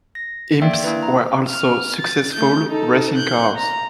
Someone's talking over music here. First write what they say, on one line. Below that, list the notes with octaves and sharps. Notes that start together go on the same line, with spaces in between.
Imps were also successful racing cars.
A#6
A#3 D5 E5 G5
A#3 D4 E4 B4
A#5
F6
A6
A3 G6
D#4 A4
F#6 G6
A#5